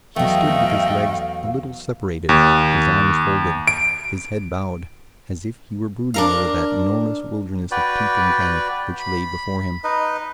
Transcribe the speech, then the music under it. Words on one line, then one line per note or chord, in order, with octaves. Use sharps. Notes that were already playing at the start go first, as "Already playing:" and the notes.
He stood with his legs a little separated, his arms folded, his head bowed, as if he were brooding over that enormous wilderness of peat and granite which lay before him.
E2 F#3 A3 D#5 F5 G5
D#2
D7
D4 A#4 F5
F#4 B4 D5 G5
B5
D#4 B4 D#5